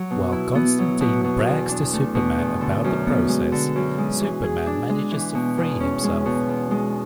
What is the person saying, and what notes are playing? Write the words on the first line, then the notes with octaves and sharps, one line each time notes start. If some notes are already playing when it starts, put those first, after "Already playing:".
While Constantine brags to Superman about the process, Superman manages to free himself.
Already playing: F#3
B2
E4
B3
F#3
B2
B2
E2
D4
A3
B2
E2
D3
F#2
B3
G#3
D3
F#2
G#3
E3
G#4
D4
G#3
E3
B2
E2
C#4
G#3
B2
E2
G#3